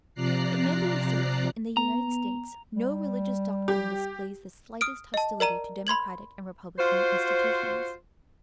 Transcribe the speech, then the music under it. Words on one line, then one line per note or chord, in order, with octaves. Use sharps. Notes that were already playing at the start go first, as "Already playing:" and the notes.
It may be asserted that in the United States no religious doctrine displays the slightest hostility to democratic and republican institutions.
C3 F3 D5 A#5 F#6 C7
B3 A#5
G3
G4
D#6 F6 D7
D#5 A5
A#4 D5 A#5 D#7
B5 C6 G#6 F#7
F4 F#4 C5